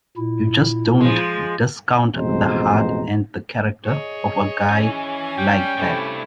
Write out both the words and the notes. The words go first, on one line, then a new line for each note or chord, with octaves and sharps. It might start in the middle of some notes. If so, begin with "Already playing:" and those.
You just don't discount the heart and the character of a guy like that.
A#2 E4
F3 G#3
A1 F2 B2 G#3 C5 A#5
G#4 C#5 D#5
C#4 E4 G#5
G3 G5
G2 C3 G3 A3 E4